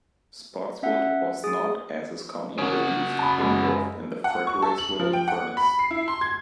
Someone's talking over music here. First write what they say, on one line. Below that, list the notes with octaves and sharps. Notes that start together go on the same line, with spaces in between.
Spotswood was not, as is commonly believed, involved in the Fredericksville Furnace.
C#4 E5 F#5
G#4 D#6
C#3 C#4 F#4 A#4
A5 B5
F#2 G#3 B5
F#5
C#6
A4
F#7
F3
G5
F#5
B5
C7
E4
C6
G#6